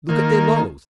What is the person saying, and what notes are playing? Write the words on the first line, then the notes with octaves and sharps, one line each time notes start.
Look at their laurels.
D#3 A#3